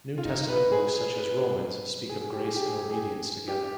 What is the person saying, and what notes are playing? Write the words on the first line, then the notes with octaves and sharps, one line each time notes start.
New Testament books such as Romans, speak of grace and obedience together.
F4
D#4
B4
G#4
B4
G#4
G#4
G4
G#4
G4
G#4
G#4
G#4
G4